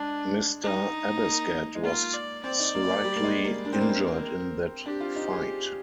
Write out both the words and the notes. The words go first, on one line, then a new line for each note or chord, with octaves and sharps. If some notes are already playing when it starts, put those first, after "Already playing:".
Mr. Abescat was slightly injured in that fight.
Already playing: G#3 D4
D#4
A#3
G#3
A#3 F4
D5
C4 D5
D#4
A#3
A#3
G3
A#3
G#3
A#3
D4 A#4
C4
A#3
C4
D4 G4
F4
D#4
G#4